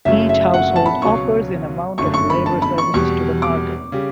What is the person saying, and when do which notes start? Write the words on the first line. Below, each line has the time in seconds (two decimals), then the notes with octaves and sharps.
Each household offers an amount of labour services to the market.
0.05 F#1 F#2 C#3 F#3 A3 E5
0.29 E5
0.54 F#5
0.76 A5
0.86 B5
1.02 C#2 B2 F#3 C#4 C#6
1.98 G1 F#2 D3 A3 D4 C#6
2.14 C#6
2.30 B5
2.46 A5
2.62 B5
2.78 C#6
2.94 E2 B2 G3 C#6
3.42 D6
3.92 C#3 G3